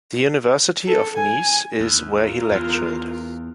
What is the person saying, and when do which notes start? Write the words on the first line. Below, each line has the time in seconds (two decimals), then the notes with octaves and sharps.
The University of Nice is where he lectured.
0.88 A4
1.17 G#5
1.80 D#2
2.16 F4 A#4
2.52 E2